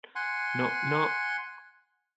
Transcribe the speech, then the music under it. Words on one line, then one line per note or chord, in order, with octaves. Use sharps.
Knock, knock.
F#5 G#5 C6